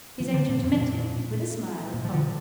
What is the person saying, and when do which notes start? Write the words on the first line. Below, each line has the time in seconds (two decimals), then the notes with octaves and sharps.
His agent met him with a smile of hope.
0.20 F3
0.34 D3
0.49 A#2
0.63 F2
0.77 A#2
1.93 A#2
2.05 F3
2.13 D3